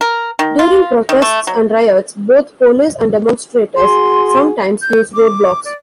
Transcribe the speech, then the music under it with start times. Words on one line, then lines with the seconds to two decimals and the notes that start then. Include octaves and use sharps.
During protests and riots, both police and demonstrators sometimes use roadblocks.
0.01 A#4
0.39 D#3
0.59 F4
1.09 D#3
1.22 A3
1.47 F#3
3.76 F#4 G#4 C6
4.82 G6
5.14 D6
5.65 D5